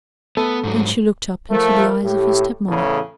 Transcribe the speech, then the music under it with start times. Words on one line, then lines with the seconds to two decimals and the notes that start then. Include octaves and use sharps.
Then she looked up into the eyes of her step-mother.
0.37 A3 B3 A4
0.64 G#2 F#3
1.51 F3 A3 A#4
2.04 A2 G4
2.68 E2 A2 C#3 A4